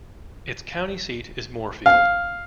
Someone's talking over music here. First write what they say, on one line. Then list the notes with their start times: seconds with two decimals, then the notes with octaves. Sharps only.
Its county seat is Moorefield.
1.86 F5